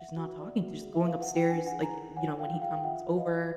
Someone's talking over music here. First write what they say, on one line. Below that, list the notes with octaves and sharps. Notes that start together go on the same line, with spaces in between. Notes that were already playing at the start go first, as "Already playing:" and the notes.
just not talking, just going upstairs, like, w you know, when he comes over
Already playing: E5 F#5
F#4
D5
F#4
G#4
E5
B4 F5
F#5
F4
G5
D4 F#5 G#5
F#5 G#5
G#4
G#5 A#5
B4
C#5 F#5 G#5
F4 F5 G5
F#5
G#4 F5 G5
G5
F4 E5 F#5
C#5
D#5 F5
F4